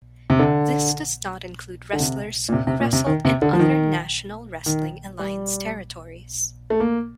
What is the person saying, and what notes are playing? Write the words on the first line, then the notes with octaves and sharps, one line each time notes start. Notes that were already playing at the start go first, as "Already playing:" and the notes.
This does not include wrestlers who wrestled in other National Wrestling Alliance territories.
C3
D3
D3
C3
A#2
C3
C3
A#2
C3
D#3
C3
D3
F3
D#3
D#3
G3
A3
A#3